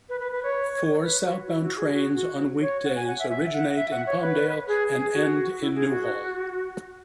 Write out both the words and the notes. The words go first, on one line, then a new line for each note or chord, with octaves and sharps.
Four southbound trains on weekdays originate in Palmdale and end in Newhall.
B4
B4
B4
C#5
B4
F#4
E4
F#4
G#4
F#4
F#4
C#5
F#5
G#5
F#5
E5
E5
F#5
E5
F#5
C#5
B4
G#4
G#4
F#4
E4
G#4
F#4